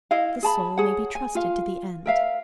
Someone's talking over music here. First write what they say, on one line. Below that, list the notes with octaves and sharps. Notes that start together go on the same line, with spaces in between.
The soul may be trusted to the end.
E4 D#5 F5
G#4 A5 B5
G#4 C#5 F#5
G#5
F4 F5
A#4 E5 F5